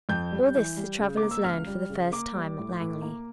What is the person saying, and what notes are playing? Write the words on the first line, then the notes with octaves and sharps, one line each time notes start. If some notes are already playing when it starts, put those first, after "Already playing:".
All this the travellers learned for the first time at Langley.
F2 G6
G3
E3
G3
C#3
A#3 D6
E6
C#2 F6
G3
C#3
A#3 D6
G3
A2
A2
A#3